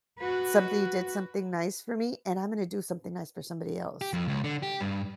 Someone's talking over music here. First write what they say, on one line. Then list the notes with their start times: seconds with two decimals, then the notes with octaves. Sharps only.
"Something you did something nice for me, and I'm gonna do something nice for somebody else."
0.19 F#4 B4
4.01 G4
4.13 F2
4.28 C#2
4.44 D3
4.63 G4
4.81 G2